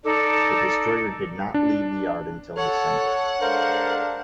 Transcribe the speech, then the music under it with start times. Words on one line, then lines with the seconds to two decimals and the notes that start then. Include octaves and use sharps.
The destroyer did not leave the yard until December.
0.03 D#4 A4 D5
1.54 D4
2.57 A4 C#5 F#5
3.41 G#3 D4 A4 A#4 C5 F5